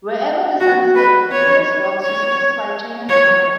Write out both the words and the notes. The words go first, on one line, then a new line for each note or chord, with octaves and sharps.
Wherever the sun set, pilferers worked to satisfy China's hunger.
F#4
B4
C#5
C#5
C#5